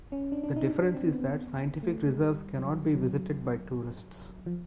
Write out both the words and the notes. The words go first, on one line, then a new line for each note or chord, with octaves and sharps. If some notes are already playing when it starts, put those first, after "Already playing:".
The difference is that scientific reserves can not be visited by tourists.
C#4
D4
D4
D#4
D4
D4
C4
B3
A3
G#3
G3
F#3
F#3
F3